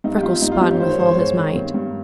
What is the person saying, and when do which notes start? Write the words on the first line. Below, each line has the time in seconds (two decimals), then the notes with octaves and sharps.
Freckles spun with all his might.
0.04 G2 D#4
0.16 G4
0.23 G2 F4
0.42 G2 D#4
0.52 F4
0.61 G2 G4
0.70 C#5
0.80 D#3 C5
0.89 C#5
0.99 G#2 C5
1.08 C#5
1.18 G#2
1.37 D#3
1.56 G2
1.74 G2